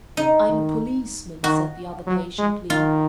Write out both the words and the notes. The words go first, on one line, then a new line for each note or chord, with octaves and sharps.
"I'm a policeman," said the other patiently.
C#3 D#4
D#3
D#3 F#4
F#3
G#3
D#3 F4